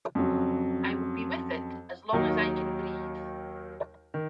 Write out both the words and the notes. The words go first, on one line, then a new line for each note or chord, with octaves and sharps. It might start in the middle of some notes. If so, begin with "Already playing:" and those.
I will be with it as long as I can breathe.
F2 C#3 F#3
D#2 D#3 F#3 A#3 D#4
D#3